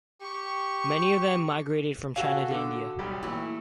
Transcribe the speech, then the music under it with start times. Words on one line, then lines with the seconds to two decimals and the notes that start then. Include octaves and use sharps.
Many of them have migrated from China to India.
0.22 G4 C#6
2.16 F#4 A4 E5 F5 G#5
2.51 D3 D6
2.99 B1 G3 G4
3.23 A#2 E3 A3 E4